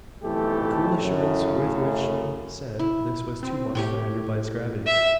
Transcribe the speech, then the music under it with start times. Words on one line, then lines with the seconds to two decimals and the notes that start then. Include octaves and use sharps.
The cool assurance with which she said this was too much for Enderby's gravity.
0.23 B1 F2 E3 A3 G4 A4
1.00 F#2 A2 C#3
2.79 E4
3.43 C4
3.75 A2 G4 C#5 G5
4.86 E5